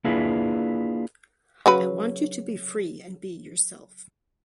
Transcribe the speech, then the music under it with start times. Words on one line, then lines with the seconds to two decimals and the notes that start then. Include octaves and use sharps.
I want you to be free and be yourself.
0.04 A#3 D4 E4 F4 G#4 B4
1.66 C#3 F#3 B4